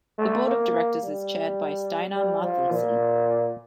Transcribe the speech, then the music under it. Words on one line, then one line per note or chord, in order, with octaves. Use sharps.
The board of directors is chaired by Steinar Marthinsen.
A3
A#3
G3
G3
F3
A#2